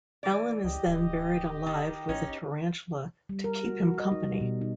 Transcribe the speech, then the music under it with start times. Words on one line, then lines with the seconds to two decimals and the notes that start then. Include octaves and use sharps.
Alan is then buried alive with a tarantula to "keep him company".
0.23 E3 D5
0.64 C#2 G4 D#5
0.86 D1
1.66 D#3
2.09 A1 C#4 D#4
3.29 G3
3.44 A#4
3.65 F#4
3.83 F#4
4.00 D#5
4.12 D#4
4.24 G3
4.41 B2
4.61 D#4